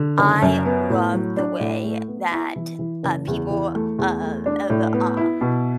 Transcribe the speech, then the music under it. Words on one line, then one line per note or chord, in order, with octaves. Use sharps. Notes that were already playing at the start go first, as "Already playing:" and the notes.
I love the way that, uh, people of of, um,
Already playing: D3
F#1
F#2
B3
A2
F#3
D4
A2
A3
B3
E4
E3
E3
F#1
E2
E3
A3
E2
A3
D4
A2
B3
E4
B2